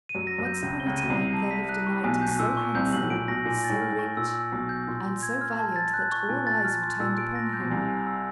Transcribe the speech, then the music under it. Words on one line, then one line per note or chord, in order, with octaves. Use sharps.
Once upon a time there lived a knight so handsome, so rich, and so valiant that all eyes were turned upon him.
D#7
F#2 F#3
A#6
F#2 F#3
G6
C#2 C#3 G6
C3 G7
C#2 C#3
D#7
B2
C2 C3
C7
A5
B6
F#6
C#6
B1 B2 G#5
G6
B2
A#2 E6
C#6
C2 C3 G6
C3
B1 B2 F#7
A2
A#2 D7
B1 B2 A#6
A#2 G#5
A6
A2
F6
A2
C#6
A#2 E6
E6
B1 B2 A#6
G6
A#2 C6
C6
G#6
F6
A5
A6
F#6
C#6
A#2 G#5
A6
F6
C6
A#2 E6
D7
A#6
G6
B2
C2 C3 G#5
G#5
E6